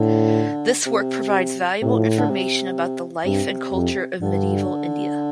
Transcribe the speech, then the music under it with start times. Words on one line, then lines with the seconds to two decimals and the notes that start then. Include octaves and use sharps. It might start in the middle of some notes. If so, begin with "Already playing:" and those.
This work provides valuable information about the life and culture of medieval India.
Already playing: A2 D3
0.86 C3
1.82 A2 C3
1.94 F3
2.18 D3
2.29 C3
3.25 G2 C3
3.74 F2
4.21 G2 D3